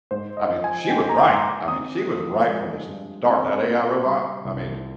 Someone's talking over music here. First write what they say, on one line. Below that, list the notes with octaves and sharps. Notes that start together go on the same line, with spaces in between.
I mean, she was right! I mean, she was right from the s start, that AI robot I mean, sh
G#2 C5
D#5
F3
G#5
A#3 G5
G#5
A#5
D6
G#2 C6
D6
C4 D#6
F3
G#3
G2
C4
A#2
G3
C2